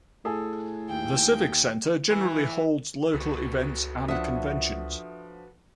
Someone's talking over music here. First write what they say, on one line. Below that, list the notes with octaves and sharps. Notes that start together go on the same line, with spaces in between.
The Civic Center generally holds local events and conventions.
A2 G#4 A4 G#5
D#2 G5
E3
C#2 F#4 A4 B4
F3 D4 E5 F#5 D#6